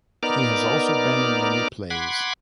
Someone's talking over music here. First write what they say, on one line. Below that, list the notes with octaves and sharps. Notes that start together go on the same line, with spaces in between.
He has also been in many plays.
B3 D#4 A#4 D5 D6 F6
F#5 B5 C6 D6 G#6